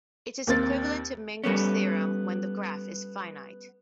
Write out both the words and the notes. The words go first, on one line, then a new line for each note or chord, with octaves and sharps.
It is equivalent to Menger's theorem when the graph is finite.
D#2 A#3 C4 A6
G3 A3 B3 C#4